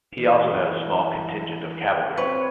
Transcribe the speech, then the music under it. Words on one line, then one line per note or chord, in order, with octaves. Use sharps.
He also had a small contingent of cavalry.
E3
C4 B4 C#5